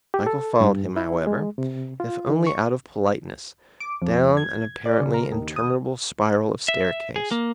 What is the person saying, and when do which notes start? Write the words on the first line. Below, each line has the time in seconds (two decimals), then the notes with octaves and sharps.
Michael followed him, however, if only out of politeness, down an apparently interminable spiral of staircase.
0.14 G4
0.26 A4
0.61 G2
0.97 E4
1.27 G#3
1.58 C3
2.00 F4
2.30 D#3
2.47 C#6
3.80 D6
4.02 F2
4.37 G#6
4.86 D5
5.01 C#3
5.14 A#4
5.32 D#2
5.56 D#6
6.68 E5
7.16 G#4
7.31 A#3